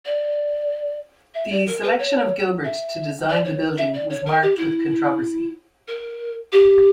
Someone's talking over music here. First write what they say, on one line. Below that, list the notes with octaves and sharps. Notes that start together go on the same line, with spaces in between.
The selection of Gilbert to design the building was marked with controversy.
D5
E5
D5
A#4
B4
C#5
E5
D5
C#5
E5
D5
C#5
A#4
G4
E4
A#4
G4